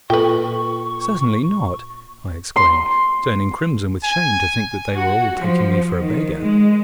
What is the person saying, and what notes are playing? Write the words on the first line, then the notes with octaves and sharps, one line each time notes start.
"Certainly not!" I exclaimed, turning crimson with shame to think that they were all taking me for a beggar.
A#2 F4 A4 B4 G5 C#6
C6
G#5
F#4
F3
D#3
G#3